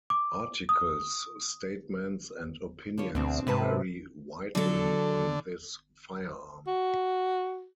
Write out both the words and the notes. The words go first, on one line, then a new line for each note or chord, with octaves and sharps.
Articles, statements, and opinions vary widely on this firearm.
D6
D#6
D3 F4 C#5
D2 B2 C4 D4
G#2 C3 B4 A5
D3 F#3 A4
F#4